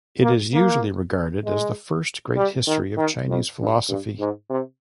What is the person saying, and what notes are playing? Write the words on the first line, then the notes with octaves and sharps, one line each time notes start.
It is usually regarded as the first great history of Chinese philosophy.
A#3
A#3
G#3
G3
D#3
D#3
F2
G2
G2
G#2
C3